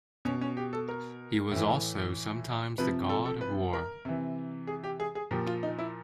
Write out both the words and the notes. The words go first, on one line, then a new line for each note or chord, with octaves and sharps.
He was also sometimes the god of war.
B2 C#4
C#4
G4
A4
A#4
A2 E3
C3 F3 B4
A4
A4
B4
A#4
C3 E3
G#4
G4
G#4
G#4
A#2 F3 G4
F4
D#4
E4